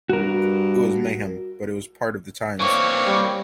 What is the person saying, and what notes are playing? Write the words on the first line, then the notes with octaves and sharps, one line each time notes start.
It was mayhem, but it was part of the times.
G2 F#4 A#4
E3 A#3 C4 C#5 D5 C#6
G3